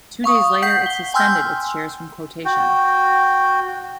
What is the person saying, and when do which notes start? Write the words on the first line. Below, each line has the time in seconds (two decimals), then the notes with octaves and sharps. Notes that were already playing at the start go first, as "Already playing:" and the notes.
Two days later, it suspended its shares from quotation.
0.24 F5 C#6 D#6
0.62 F#5 G6 B6 C7
0.86 G7
1.14 G5 G#5 C6 E6 F6 G6
2.45 F#4 G5